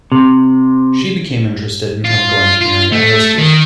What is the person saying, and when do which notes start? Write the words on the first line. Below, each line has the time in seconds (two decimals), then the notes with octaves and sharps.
She became interested in chemical engineering at high school.
0.12 C3
2.04 F4
2.61 F4
2.92 A3
3.38 D#3